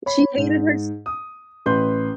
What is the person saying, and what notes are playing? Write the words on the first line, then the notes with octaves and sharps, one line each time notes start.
She hated her s
C#5 B5
G#2
D#6
A1 B4 C6 G6